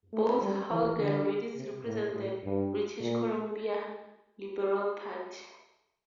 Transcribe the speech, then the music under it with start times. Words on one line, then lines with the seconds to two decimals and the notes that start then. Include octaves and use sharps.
Both Hogg and Redies represent the British Columbia Liberal Party.
0.13 A3
0.42 G3
0.71 E3
0.99 D3
1.56 C3
1.85 A2
2.14 A2
2.43 G2
3.00 A#2